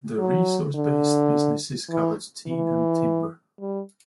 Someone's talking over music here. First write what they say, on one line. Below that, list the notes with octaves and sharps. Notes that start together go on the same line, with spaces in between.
The resource-based businesses covered tea and timber.
F#3
D3
E3
E3
G3